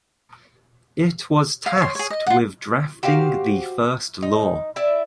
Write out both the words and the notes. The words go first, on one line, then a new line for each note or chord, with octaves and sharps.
It was tasked with drafting the first law.
F5
C#5 C6
G#4 C#5
D#5
F4 F#5
F#4 G4 C5 F5
D#4
E4 D5 E5